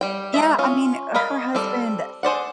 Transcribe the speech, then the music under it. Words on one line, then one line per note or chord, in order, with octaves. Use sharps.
Yeah. I mean, her husband
G3 G5
G#3 D#5 E5
C#4 F4
A#4 D#5 F5 B5
G3 C4 A4 D5
G#4 C5 D5 F#5